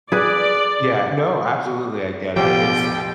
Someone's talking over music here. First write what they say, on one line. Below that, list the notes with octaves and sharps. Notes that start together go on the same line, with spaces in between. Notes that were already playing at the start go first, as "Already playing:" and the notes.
Yeah, no, absolutely. I get it, it's
G#4 B4 D5
E1 A1 B2 F3 G4 F5 G5